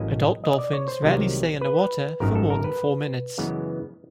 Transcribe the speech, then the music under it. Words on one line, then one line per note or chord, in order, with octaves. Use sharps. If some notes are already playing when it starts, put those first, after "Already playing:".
Adult dolphins rarely stay under water for more than four minutes.
Already playing: A1 A2 F#3 A#3 C#4 D#5
D#5
D#5
D5
C#5
C5
C2 C3 D#3 F#3 A3
B4
G#1 F#2 D#3 A#4
A4
A#4
B4
F#2 C#3 E3 G#3 B3